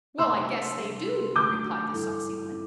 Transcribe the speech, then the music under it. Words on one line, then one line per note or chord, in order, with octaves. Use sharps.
"Well, I guess they do," replied the saucy one.
C3 A3 D4 C5 C6 E6
C3 G3 D4 G4
D3 A3 D4 D6 G6
G2 G3 E4 A4